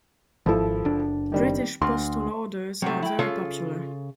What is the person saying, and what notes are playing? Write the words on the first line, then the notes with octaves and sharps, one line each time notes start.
British Postal Orders are very popular.
G#1 F3 E4 A4
F#1 D4
D#3 G3 C4
D2 C6
G#2 C3 F#3 A3
E4 G5
C#3 F4 A4 E5